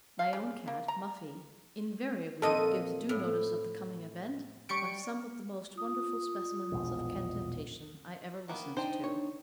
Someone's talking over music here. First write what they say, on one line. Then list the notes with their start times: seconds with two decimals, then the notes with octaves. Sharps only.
My own cat, Muffie, invariably gives due notice of the coming event, by some of the most wonderful specimens of cantation I ever listened to.
0.19 F5
0.33 C#3
0.68 A#3
0.88 A#5
2.42 F2 A#2 A4 D#5 D#7
3.09 A2
4.69 G3 C#6 C#7 D7
5.75 F4 D#6
6.72 E1 A#1 B2
8.48 D#3 A#3 B3
8.77 D4 D#4 C5 G5
9.04 C#5